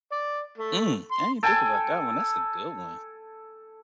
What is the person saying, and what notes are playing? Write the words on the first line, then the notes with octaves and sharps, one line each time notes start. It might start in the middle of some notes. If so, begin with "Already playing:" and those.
Mm, I didn't think about that one. That's a good one.
D5
A3
C6
A4 G5 G#5